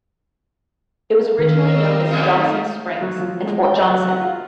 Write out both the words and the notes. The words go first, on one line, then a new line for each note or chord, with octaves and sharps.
It was originally known as Johnson's Springs and Fort Johnson.
D#3 C4 A#4 D#5 F5 E6
F2 B2 G3 A3 D#4
F5
F#3
F3
G#3
G5
F#3
F#5
F4